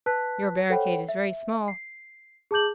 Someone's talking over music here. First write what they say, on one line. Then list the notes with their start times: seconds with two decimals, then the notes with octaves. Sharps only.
Your barricade is very small.
0.06 B4 A5 F#6 B6
0.70 A4 C5 C#5 F#5 G5 B5
1.09 E5
1.68 C7
2.51 G#4 A5 D6 G6 F#7